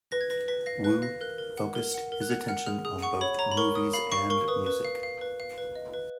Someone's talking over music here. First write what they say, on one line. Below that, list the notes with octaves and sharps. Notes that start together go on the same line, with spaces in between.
Wu focused his attention on both movies and music.
B4 A#6
G#6
B4 A#6
B4 B6
F5 A#6
B4 F#6
F5 A#6
A#4 F#6
A#4
F#5
A#4
F#5
A#4
F#6
F#5 F6
F#5 F6
G#4 F6
G#4 D#6
F#5 C#6
C#5 B5
C#5 A#5
B5
A#4 C#6
A#4 D#6
F5 B5
F5 C#6
A#4 C#6
B4 D#6
B4
F5
F5
B4
F5
B4
D#5
B4